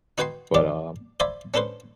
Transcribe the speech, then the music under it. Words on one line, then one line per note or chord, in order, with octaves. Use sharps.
but, um
D#4 F#4 B4 G5 G#5 C6
E2 D4 G4 D5
C5 D5 E5 G#5 B5
C#4 D4 A4 B4 C5